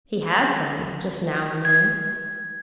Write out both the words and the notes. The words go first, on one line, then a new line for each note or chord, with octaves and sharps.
'He has been--just now an' then.'
G#6